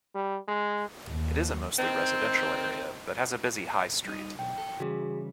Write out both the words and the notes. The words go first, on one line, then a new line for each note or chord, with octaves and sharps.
It is a mostly residential area, but has a busy high street.
G3
G#3
D#2
D#3 C4
G3 D#4
B1 G5
A4
C#3 E3 G3 F#4 G#4